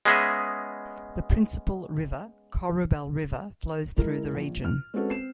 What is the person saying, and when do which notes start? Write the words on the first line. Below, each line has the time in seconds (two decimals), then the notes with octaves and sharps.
The principal river, Corubal River, flows through the region.
0.05 G#3 B3 C#4 G#4 D#5 E5
3.96 G#3 E4 A#4
4.35 A#1
4.65 F6
4.94 G#3 C4 C#4 F#4 A4 B4
5.09 C4 C7 E7